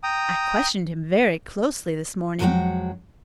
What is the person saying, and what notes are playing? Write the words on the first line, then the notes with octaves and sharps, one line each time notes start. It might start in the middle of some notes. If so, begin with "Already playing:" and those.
I questioned him very closely this morning.
G5 A#5 D#6
F2 F#3 G#3 A3 F#4 G5